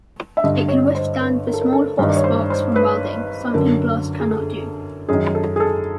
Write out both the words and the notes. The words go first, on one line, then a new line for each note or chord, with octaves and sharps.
It can withstand the small hot sparks from welding, something glass cannot do.
E5
G2 D3 D#5
C#5
C#5
C5
B4
A#4
A4
A#4
A4
G2 D#3
D5
C#5
C5
C5
B4
F#2 D3 A#4
G#4
A4
F#2 D#3 G#4
A4
G#4
A4